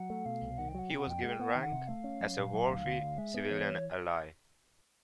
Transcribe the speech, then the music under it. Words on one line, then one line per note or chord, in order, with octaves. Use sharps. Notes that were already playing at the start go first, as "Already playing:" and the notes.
He was given rank as a worthy civilian ally.
Already playing: F#3 F#5
A3
B2 F5
C2
D#3 F#5
G5
F#3 F#5
C3 G5
F#5
F2 G5
G#3 F#5
G5
B3 F#5
D#3 G5
F#5
C3
A3 F5
C#4
F#3
A#2
F#3
D2
D3
D2
G#3 E5
B3
E3 C#5